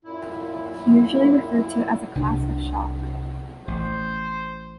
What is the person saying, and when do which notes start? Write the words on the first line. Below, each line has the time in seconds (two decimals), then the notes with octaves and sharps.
Usually referred to as a "class" of shock.
0.04 F#2 A#2 E4
2.15 C2 C3 D4
3.68 A1 C5